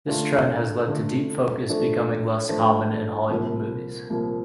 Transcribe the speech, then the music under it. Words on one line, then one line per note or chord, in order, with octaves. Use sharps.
This trend has led to deep focus becoming less common in Hollywood movies.
D3 A3 D4 F4 A4
D3 A3 D4 F4 A4
F3 A3 D4 A4 C5
F3 A3 D4 A4 C5
C2 A#2 F3 A#3
C2 A#2 F3 A#3